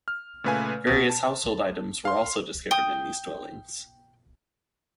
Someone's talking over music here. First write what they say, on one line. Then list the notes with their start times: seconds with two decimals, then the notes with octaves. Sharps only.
Various household items were also discovered in these dwellings.
0.08 F6
0.44 A#2 C#3 A3 B4 F5 G#5
0.87 B2
1.10 A5
2.05 F5 C6
2.71 G5 D#6